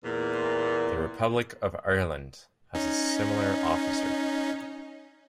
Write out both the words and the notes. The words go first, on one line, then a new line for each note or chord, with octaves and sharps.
The Republic of Ireland has a similar officer.
E2 A#2
C#4 D#4